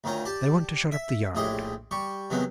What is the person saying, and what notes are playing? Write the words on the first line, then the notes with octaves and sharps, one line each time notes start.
'They want to shut up the yard.'
D2 D#3 C#4 F4 A#5
G4 D5 A5
E5
A#1 A2 G4 G#4 D#5 C6
G3 G4 C#6
C3 D#3 F#3 G#3 B3